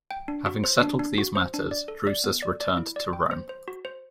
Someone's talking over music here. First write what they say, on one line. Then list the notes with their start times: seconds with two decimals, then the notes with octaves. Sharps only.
Having settled these matters, Drusus returned to Rome.
0.11 G5
0.28 D4
0.46 F#4
0.64 C5
0.82 D4
0.99 D4
1.18 F#4
1.35 C5
1.54 D4
1.71 D5
1.88 A4
2.07 D5
2.24 B3
2.42 D5
2.61 D5
2.78 E4
2.96 D5
3.13 G5
3.31 C5
3.49 C5
3.68 F#4
3.85 C5